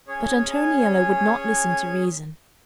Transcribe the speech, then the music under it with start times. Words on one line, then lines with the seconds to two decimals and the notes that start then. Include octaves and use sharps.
But Antoniello would not listen to reason.
0.08 C#4 G#4 C#5